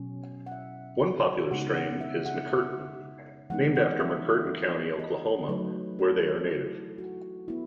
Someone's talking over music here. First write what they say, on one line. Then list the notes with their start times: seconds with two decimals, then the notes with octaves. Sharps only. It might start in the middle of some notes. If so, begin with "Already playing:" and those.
One popular strain is 'McCurtain', named after McCurtain County, Oklahoma where they are native.
Already playing: B2 F#3 C#4
0.46 F#5
0.52 E5
1.51 C#3 G#3 B3 D#4 F#5
1.76 F#5
2.01 E5
2.26 F#5
2.50 E5
3.50 E3 G#3 B3 D#4 F#5
3.75 F#5
4.00 E5
4.99 D#5
5.49 F#3 A3 D#4 B4
5.99 A4
6.37 F#4
6.49 E4
6.98 F#4
7.48 B3 E4